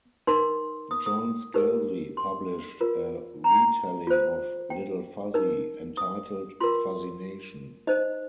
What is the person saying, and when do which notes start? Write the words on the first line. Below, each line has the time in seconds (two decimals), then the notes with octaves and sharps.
John Scalzi published a re-telling of "Little Fuzzy", entitled "Fuzzy Nation".
0.27 D#4 A#4 C6
0.91 D#6
1.06 D#6
1.54 D#4 G4 A#4
2.17 C6
2.81 F4 A#4
3.44 A#5
4.07 F4 C5
4.70 G5
5.34 D#4 A#4
5.97 D#6
6.60 F4 A#4 C6
7.87 D#4 C5 D#5